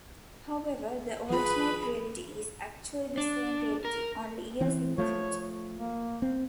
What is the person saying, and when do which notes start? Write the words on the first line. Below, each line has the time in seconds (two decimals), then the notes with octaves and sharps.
However, the "alternate" reality is actually the same reality, only years in the future.
1.28 G#1 F3 F4 G#4 B4 B5
3.18 D4
3.85 A#4
4.61 E3 C4
4.98 F3 A3 C#5
5.77 A#3
6.22 C4